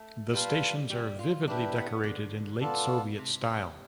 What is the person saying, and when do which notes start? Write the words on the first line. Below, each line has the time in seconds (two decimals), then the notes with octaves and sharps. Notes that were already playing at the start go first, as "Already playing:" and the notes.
The stations are vividly decorated in late-Soviet style.
Already playing: A3
0.33 G3 F4 B4 F5 A5
0.90 G3
1.19 F4
1.47 D4 E4 G4 B4
1.76 B3
2.04 D3
2.61 B3 F4 A4 D5 A5
3.18 C3